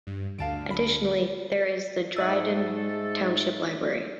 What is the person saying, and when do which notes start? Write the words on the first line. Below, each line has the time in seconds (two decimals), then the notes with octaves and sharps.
Additionally there is the Dryden Township Library.
0.07 G2
0.38 D2 D3 F5 A5 D7
0.71 B5
2.17 G#2 A3 D#4 A4 D#5 E5 E6